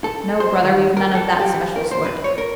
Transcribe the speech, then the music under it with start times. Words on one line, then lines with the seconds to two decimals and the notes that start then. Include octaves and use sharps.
"No, brother, we've none of that special sort."
0.04 A4
0.40 C5
0.63 D#3
0.97 A#4
1.15 A4
1.40 G4
1.54 E3
1.76 A#4
1.91 C5
2.05 B4
2.24 C#5
2.38 A#4